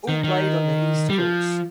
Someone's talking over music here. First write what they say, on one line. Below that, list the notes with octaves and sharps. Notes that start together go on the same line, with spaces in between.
All played on the East Course.
D#3
D#3
G3
F3